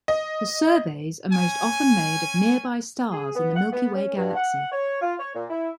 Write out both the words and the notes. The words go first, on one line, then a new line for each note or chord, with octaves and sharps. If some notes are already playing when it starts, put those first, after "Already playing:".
The surveys are most often made of nearby stars in the Milky Way Galaxy.
D#5
C#4 G#5
G#4
B3
F#5
B3
C#4
G2
F#5
C#5
F4
C#5
A#2
E4